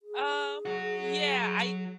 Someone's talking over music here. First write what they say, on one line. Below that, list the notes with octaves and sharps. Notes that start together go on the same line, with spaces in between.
Um, yeah, I
G#4
F#3 F#4